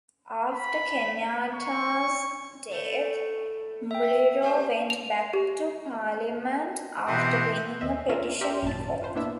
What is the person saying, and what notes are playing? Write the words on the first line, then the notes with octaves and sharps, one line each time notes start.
After Kenyatta's death, Muliro went back to Parliament after winning a petition in court.
B5
C#6
A2 A3
E5 G5
C4 G4 C5
F7
G4
B2 E3 C4 G4 B4 D#5 F#5
D#2 D#5 E5
C#4 D4 F4 A#4 E5 F5
G4 A#4 E5 C6
G#1 F#2 A#2 A5
F4 B4 C5
A#3 B3 D4 E4 E5